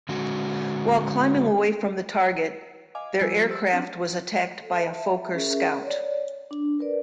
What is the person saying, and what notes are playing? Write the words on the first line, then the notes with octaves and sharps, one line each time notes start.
While climbing away from the target, their aircraft was attacked by a Fokker scout.
D3 G#3 C#4 F#4
D#5 F5 G#5 D6
F3 G3 F4 G#5 E6 B6
G4 C5 E6 A6
C4 D4 F#5 F#6
A4
E5 A5
C#4 G#4 A#4 E5
C#5 D5
D4
A#4 B4 D5